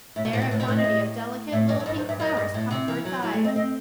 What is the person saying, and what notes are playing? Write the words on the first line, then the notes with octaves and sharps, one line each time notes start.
There a quantity of delicate little pink flowers caught Bert's eye.
A2 E5
B2
A2 C5
B2
A2 B4
B2 C5
A2 B4
D#5
A2
A2 E5
G2 D#5
F#2
G2 D#5
F#2 C5
G2 E5
F#2 D#5
G2
A2
C3
E3
F#3
F#3 E4
A3
C4 D#5
C4 D#5